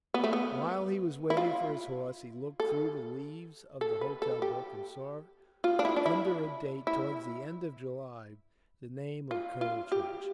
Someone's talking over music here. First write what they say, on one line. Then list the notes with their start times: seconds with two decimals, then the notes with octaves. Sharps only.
While he was waiting for his horse he looked through the leaves of the hotel book, and saw under a date towards the end of July the name of Colonel Trench.
0.14 B3
0.24 A3
0.33 B3
1.30 E4
1.37 F4
2.60 A4
3.81 A4
4.01 B4
4.22 A4
4.42 G4
5.64 F4
5.79 D4
5.85 E4
5.96 D4
6.06 E4
6.87 E4
9.31 F4
9.61 F4
9.92 G4